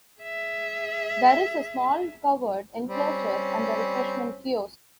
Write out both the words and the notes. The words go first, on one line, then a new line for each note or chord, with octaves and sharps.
There is a small covered enclosure and a refreshment kiosk.
G#4 E5
G3 C4 C#4